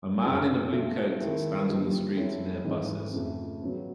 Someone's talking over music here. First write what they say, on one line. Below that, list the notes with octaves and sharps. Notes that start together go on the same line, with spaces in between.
A man in a blue coat stands on the street near buses.
F#2 C#3 F3 G#3
A3 D4 F4 A4
D#3 G#3 C4 E4 A4
D3 F3 A#3 D#4 G4
G#3 C4 E4 A4 C#5
G#2 E3 G#3 C4 D#4
F2 C#3 F3 A3
C#3 F#3 B3